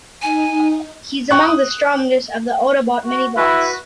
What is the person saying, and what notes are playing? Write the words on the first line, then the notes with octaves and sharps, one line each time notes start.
He is among the strongest of the Autobot mini-bots.
D#4 G#5
G5 C#6 F#6
D#6
F#4
E4 F#4 B4